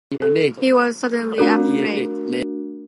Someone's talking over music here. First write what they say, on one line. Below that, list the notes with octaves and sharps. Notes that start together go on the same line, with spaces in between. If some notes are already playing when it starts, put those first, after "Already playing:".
He was suddenly afraid.
A4
A3 D4 F#4 A#4